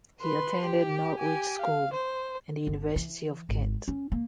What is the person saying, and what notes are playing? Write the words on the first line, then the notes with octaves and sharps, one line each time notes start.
He attended Norwich School and the University of Kent.
B4 C6
G4
G4 G#5
F5
C5
G1
E3
G#1
C#4
A#3